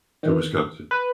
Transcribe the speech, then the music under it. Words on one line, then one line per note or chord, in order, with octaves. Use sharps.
to Wisconsin.
D#3 E3
B4